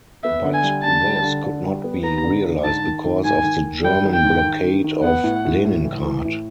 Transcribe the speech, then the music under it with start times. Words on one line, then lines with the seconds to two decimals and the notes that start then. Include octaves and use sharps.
But this could not be realized because of the German blockade of Leningrad.
0.23 B3 E5
0.44 D3
0.54 G#5
0.63 G3
0.84 D3 A5
1.04 G3
1.23 D3
1.44 D3
1.64 G3
1.84 B3
2.03 B3 A#5
2.23 D3
2.44 D3
2.63 G#2 A5
2.84 D#3
3.04 D#3
3.24 G#2 G#5
3.44 D#3
3.64 D#3
3.84 G3 G5
4.04 D#3
4.14 G5
4.24 G#2
4.45 D#3
4.64 D#3
4.84 D#3
5.04 B3 F#5
5.24 A2
5.45 A2
5.65 A2
5.85 E3
6.05 E3
6.25 A2